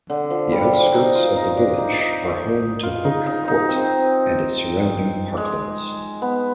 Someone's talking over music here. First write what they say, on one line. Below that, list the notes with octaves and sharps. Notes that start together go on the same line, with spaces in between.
The outskirts of the village are home to Hooke Court and its surrounding parklands.
D3
F3
G3
F3
D#4
F4
D#4
D4
D#4
D#4
F4
D#4
D#4
D#4
C4
G#3
B3